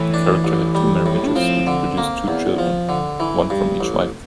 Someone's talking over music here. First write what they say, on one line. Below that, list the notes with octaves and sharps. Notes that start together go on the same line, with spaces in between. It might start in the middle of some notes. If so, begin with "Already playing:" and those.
The character had two marriages which produced two children - one from each wife.
Already playing: A2 E3
D4
A1
G3
A2
D4
F3 C4
D3
A#3
E2
F3
D3
E3
G2
A1